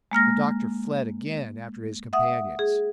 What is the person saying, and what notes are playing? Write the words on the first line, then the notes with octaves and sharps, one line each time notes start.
The doctor fled again after his companions.
G#3 A#3 F6 A#6
E5 F#5 D#6
G#4